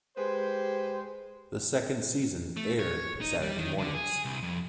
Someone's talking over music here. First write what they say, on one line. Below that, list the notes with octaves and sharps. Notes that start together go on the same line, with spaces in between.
The second season aired Saturday mornings.
G#3 G4 B4 C5
A3
C#5
D#4
G3
D#3
D3
G#4
C2
F2